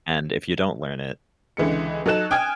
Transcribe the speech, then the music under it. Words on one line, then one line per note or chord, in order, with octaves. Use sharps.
And if you don't learn it
C#2 D3 E3 G#3 C#7
F#3 D#4 A4 F#6 E7
G5 G#5 D#6 F6 G#6